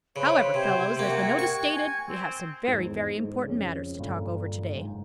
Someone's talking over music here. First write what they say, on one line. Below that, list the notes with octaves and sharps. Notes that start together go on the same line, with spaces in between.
However, fellows, as the notice stated, we have some very, very important matters to talk over to-day.
C#3 B4 C5
C3 C5 G5 G#6
C3 A#3 F#4
C#6
G#5
C4
E2 G#2
G#2
F2 C#3
G2 A#2 D3
F#1 G#2